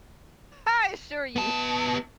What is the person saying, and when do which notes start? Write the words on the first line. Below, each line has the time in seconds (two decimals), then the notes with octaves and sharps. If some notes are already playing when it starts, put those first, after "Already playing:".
I assure you.
1.36 B3 A5